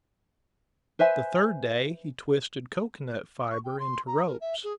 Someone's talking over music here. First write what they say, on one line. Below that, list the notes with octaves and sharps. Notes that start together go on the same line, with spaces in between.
The third day he twisted cocoanut fiber into ropes.
B4 C5 E5 G#5
C#6
G5
C6
A#5
A#4
E5
G#4